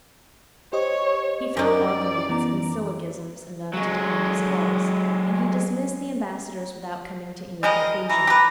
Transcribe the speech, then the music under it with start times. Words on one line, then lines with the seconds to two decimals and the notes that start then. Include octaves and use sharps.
He found arguments and syllogisms enough to defend his cause; and he dismissed the ambassadors without coming to any conclusion.
0.73 G4 C5 C#5 D#5
1.57 F#2 D#4 D5
2.29 E3 B3 A#5
3.74 F#3 G#3
7.63 G3 G#3 A#4 D#5
8.09 E3 A#5
8.27 G4 B4